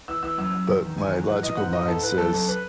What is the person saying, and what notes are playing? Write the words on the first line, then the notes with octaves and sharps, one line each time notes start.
But my logical mind says,
E3 E6
E3 E6
F#2 E6
F#2
E2
D#3
E2 G#5
F#3
E3 F#5
E3 D#5
G#2 F#5
G#2 D#5
E3 A4
E3 B4
F#2 A4
F#2 A4
B4